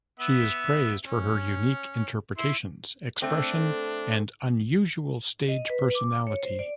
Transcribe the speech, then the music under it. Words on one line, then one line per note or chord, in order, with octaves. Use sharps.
She is praised for her unique interpretations, expression, and unusual stage personality.
B3 E5
C#4
E4 C6
A3 C4 D4
D#5
B4
D6
C#5
C5
D5